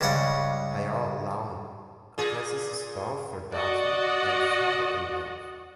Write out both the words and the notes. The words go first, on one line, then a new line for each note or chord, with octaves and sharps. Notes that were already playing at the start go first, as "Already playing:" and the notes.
Pyar Laung confesses his love for Datu and fall in love.
C#2 G2 C#3 D5 F#5
A#2 G#4
F#4 D5 D#5 F#5